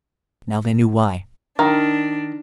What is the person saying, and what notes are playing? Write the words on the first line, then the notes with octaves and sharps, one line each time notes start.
Now they knew why.
D#3 D4 A#5